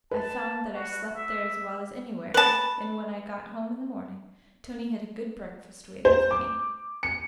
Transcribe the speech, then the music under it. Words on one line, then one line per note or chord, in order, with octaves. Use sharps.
I found that I slept there as well as anywhere, and when I got home in the morning, Tony had a good breakfast waiting for me.
B4 A5
F#4
E5
B4 A5
C5
D6
C#7